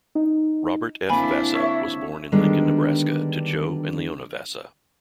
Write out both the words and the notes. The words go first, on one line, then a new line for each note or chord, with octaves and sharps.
Robert F. Vasa was born in Lincoln, Nebraska, to Joe and Leona Vasa.
D#4
D3 A#3 C4 D4 E4 G#5 B5
C#5 E5
D3 D#3 G3 G#3 B3 D4